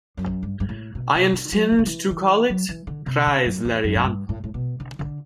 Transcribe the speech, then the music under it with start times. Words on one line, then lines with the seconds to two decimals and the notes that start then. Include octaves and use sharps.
I intend to call it Kreisleriana.
0.17 F#2
0.43 G2
0.60 G2
0.69 A2
0.95 B2
1.14 C3
1.33 D3
1.52 F#3
1.72 E3
1.79 D3
1.86 E3
2.11 E3
2.50 F#3
2.69 E3
2.87 D3
3.06 C3
3.27 D3
3.45 F#2
3.65 E2
3.84 F#2
3.95 A2
4.04 G2
4.29 A2
4.44 A2
4.54 B2
4.80 D3
4.99 D3